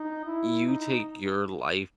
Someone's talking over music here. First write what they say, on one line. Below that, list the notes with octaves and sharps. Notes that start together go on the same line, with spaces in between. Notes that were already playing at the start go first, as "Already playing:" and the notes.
you take your life
Already playing: D#4
E4
D#4